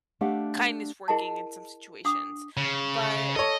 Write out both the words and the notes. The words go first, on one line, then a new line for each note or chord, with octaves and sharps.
kindness working in some situations, but
A3 D4 G4 F5 F#5
E4 G#4 A#4 D#5 F#5 A5
D4 F#5 D6 D#6
C#3
A4 C#5 D#5